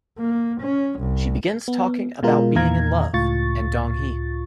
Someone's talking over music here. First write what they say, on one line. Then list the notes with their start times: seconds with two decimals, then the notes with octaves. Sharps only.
She begins talking about being in love, and Dong-hee.
0.19 A#3
0.61 C#4
1.00 C2
1.68 B3
2.23 B2 G#3 F4 A#4
2.55 E2 A#2 D#3 F5 A#5 G#6
3.13 C#2 A2 F4 C#6 A6